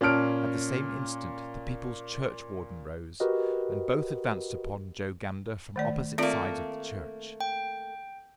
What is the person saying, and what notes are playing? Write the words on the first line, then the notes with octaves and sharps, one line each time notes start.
At the same instant the people's churchwarden rose, and both advanced upon Joe Gander from opposite sides of the church.
A#2 C#4 A5 F6 D7
F#4 G4 A#4 B4 D#5
D#3 A3 D5
A3 A#3 C4 F4 D5
G5